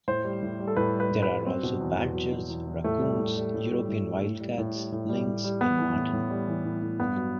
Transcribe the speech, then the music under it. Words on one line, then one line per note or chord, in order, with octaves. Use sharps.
There are also badgers, raccoons, European wildcats, lynx and marten.
A2 C5
G3
A2
G3
A4
A2 B4
G3
B4
A2
B4
G3
F#3 C4
B2
E2
E2
F#3
B2
E2
E2
A2 A3
G3
A2
G3
A2
G3
A2
G3
A2
G3
A2
G3
A2
G3
A2
G3
G3 B3
E3
A2
A2
G3
E3
A2
A2
G2 B3
F#3